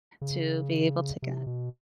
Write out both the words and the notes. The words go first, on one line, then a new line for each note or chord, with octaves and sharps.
to be able to get
C#3
C3
B2